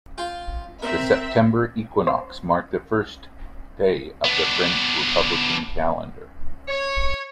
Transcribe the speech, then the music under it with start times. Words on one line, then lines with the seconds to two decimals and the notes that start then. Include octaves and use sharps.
The September equinox marked the first day of the French Republican Calendar.
0.18 F4 G5 C6
0.82 C4 A#4 E5
2.07 C5
4.25 B3 D4
6.68 C#5